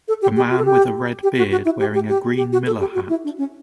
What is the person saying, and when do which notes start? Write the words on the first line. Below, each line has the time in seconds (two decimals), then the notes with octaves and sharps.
A man with a red beard wearing a green Miller hat.
0.08 A4
0.22 G4
0.36 G4
0.51 F#4
0.58 A4
0.65 G4
1.23 G4
1.37 F#4
1.51 F#4
1.65 E4
1.80 G4
1.94 G4
2.09 G4
2.37 G4
2.52 F#4
2.66 A4
2.80 G4
2.94 F#4
3.09 E4
3.24 D4
3.38 C#4